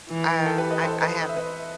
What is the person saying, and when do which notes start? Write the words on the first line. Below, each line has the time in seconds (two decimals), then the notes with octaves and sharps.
Um, I I haven't
0.09 E3
0.46 A4
0.58 G4 B4
0.71 B4 D#5
0.84 A4 C5
1.01 B4 D#5
1.21 D#5
1.29 E5
1.36 B4 D#5